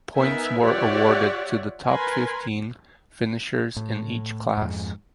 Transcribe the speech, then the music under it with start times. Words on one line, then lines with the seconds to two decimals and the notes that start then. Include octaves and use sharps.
Points were awarded to the top fifteen finishers in each class.
0.16 B3 D#4 A#4 E5 G#5
0.61 F4 G4 C#5 D5 E5 F#5
1.86 A#4 B4 G#5 B5 C6
3.76 A2
4.57 F2 G#2